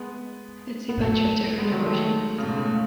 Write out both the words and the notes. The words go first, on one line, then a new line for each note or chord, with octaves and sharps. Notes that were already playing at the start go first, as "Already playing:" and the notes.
It's a bunch of different emotions.
Already playing: G#3 B3
B3
F#3 A3
G#3 B3
D#3 F#3
G#3
F#3 A3
C#3
G#2 B2
A2 C#3